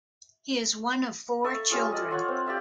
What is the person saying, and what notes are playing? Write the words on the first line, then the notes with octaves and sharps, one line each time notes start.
He is one of four children.
A4 E5 C#6
G3 C#4 F4 G#4
A4 D5 D#5
F4 C#5 F#5
C4
G4 D5 E5 F5